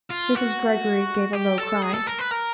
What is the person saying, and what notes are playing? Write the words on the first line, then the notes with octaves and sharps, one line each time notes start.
Mrs. Greggory gave a low cry.
F4
F#4
G4
A4
G#4
A4
A#4
B4
A#4